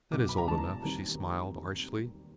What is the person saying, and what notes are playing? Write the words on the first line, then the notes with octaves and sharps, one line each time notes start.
"That is old enough," she smiled, archly.
B1 B2 F#3 D6
B5
A#5
E2 C#3 E3 G#3 A5
A#5
D#2 D#3 G3 C4